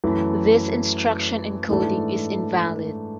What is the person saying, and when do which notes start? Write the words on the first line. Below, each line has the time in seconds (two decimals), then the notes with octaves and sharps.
This instruction encoding is invalid.
0.04 F#2 E3 A3
1.69 G#2 E3 A3 D4 A4